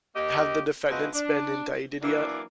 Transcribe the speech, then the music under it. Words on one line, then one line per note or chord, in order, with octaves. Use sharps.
Have the defendants been indicted yet?
A#3 G4 D#5
F3 G#3 B3 C4 F#4 D#5
D4
E3 F#3 A#3 D4